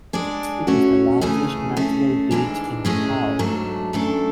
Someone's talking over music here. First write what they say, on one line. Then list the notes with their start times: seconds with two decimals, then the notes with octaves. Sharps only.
It is the largest natural beach in Macau.
0.13 G#3 D4 G#4 D5
0.67 A3 C#4 F#4 C#5
1.21 C#3 E3 A3 C#4 G#4
1.77 A3 C#4 G#4
2.31 G#2 E3 G#3 D4
2.85 A2 G#3 C#4 G#4
3.39 G#2 F#3 A3 D4
3.93 F#2 E3 A3 D4 A4